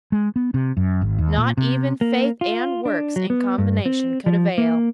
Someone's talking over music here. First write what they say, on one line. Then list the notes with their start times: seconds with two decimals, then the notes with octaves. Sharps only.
Not even faith and works in combination could avail.
0.12 G#3
0.36 B3
0.54 C3
0.77 F#2
1.02 G#1
1.19 D#2
1.37 A#2
1.57 C3
2.01 A#3
2.41 F4
2.85 D4
3.16 F#3
3.30 B3
3.58 G2
3.86 C4
4.26 F3
4.58 A#3